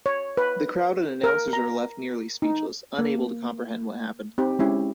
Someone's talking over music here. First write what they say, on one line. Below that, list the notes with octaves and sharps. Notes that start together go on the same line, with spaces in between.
The crowd and announcers are left nearly speechless, unable to comprehend what happened.
C#5
B4
A#4
A#5
D#4
A#3
C4 D#4 G4
G#3 C#4 E4 G4